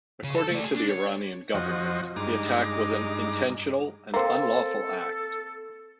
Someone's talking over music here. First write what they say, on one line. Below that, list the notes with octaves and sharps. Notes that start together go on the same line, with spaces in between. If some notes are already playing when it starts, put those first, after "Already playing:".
According to the Iranian government, the attack was an intentional and unlawful act.
C#3
A4
A3 D5
G#4
D4
C#5
F2 F3 F#4 C5 D#5
G2 G#3 D#4 A#5 D6
A#3 C4 A4